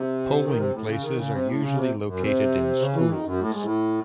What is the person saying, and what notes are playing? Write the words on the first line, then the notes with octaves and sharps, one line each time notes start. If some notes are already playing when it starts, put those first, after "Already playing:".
Polling places are usually located in schools.
Already playing: C3
D#3
C3
A2
C#3
D#3
C#3
C3
A2
C#3
C3
F#2
C3
C#3
E3
D#3
F#2
A2
G#2
A2